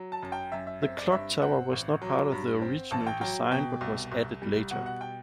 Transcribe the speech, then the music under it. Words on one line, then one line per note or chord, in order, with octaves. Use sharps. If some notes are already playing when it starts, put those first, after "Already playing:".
The clock tower was not part of the original design, but was added later.
Already playing: F#3
A5
F#2
G5
F#2 E5
E5
C4 E5
D5
G2 E5
C4 F#5
A1
F#3
G2
C4
A1 A5
G5
F#3 G5
B2 G5
C2
C2
G3
B2 F#5
F#5
G5